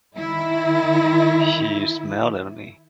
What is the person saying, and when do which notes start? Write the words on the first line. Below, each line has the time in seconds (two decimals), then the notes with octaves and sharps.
She smiled at me.
0.16 D#3 E4